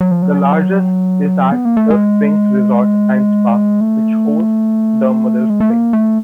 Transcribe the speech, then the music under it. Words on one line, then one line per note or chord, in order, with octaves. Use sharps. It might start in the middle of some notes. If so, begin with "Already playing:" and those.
The largest is at The Springs Resort and Spa which hosts the mother spring.
F#3
F3
F#3
B3
A#3
A3
G#3
A3
G#3
A3
A#3
A3